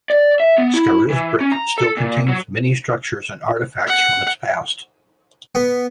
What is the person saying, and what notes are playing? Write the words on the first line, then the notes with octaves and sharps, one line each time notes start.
Scarisbrick still contains many structures and artefacts from its past.
D5
E5
B3
E4
E3
C#4
A#5
A4
A#2
F#3
F#5
B3